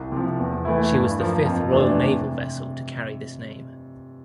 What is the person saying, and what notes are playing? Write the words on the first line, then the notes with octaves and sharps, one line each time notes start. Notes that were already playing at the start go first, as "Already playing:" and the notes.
She was the fifth Royal Naval vessel to carry this name.
Already playing: C2
C3 F3
E2
E3 A3 E4
G2
F3 A#3
F2
C3 E3 A3 D4
C3